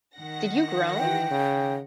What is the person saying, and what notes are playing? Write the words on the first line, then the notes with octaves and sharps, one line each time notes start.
Did you groan?
D#3 F#5 A#6
E3 G5
C#3